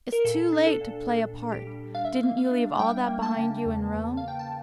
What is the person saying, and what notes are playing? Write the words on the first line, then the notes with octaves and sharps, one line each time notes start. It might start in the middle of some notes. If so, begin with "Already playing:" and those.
It's too late to play a part; didn't you leave all that behind you in Rome?
A#4
A#2 A4
D4
A4
A#2
D4
A#2
G4
G3
D4 F5
E5
F5
A#3
F5
D4
G3 G5
A#3
A5
C#3
E2
E2
E2 F5
G5
A5